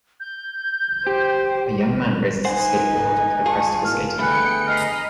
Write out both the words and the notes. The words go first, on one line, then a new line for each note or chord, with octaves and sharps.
A young man raises his skateboard at the crest of a skating ramp.
G6
G4 C5
D#4 B4 C5 F#5 G#5
G#2
F4 G#4 A5 C#6
G#2 B2 E4 A#4 F6
D3 A3 B3 G#4 G5 B5 F#6 C#7
D#5 A#5 B5 F6 C7